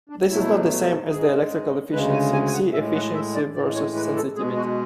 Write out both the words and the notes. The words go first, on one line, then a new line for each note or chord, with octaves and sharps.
This is not the same as the electrical efficiency; see Efficiency versus sensitivity.
D4
B2 F#3 A3 E4
G#2 G#4
G#3
D2 C#3 G#3 B4
G#5
G#5
G#5
F#5
A2 G#3 E5
F#5
E5
D5
A2 E3 G#3 D5
C#5
B4
A4
B2 G#3 G#4
F#4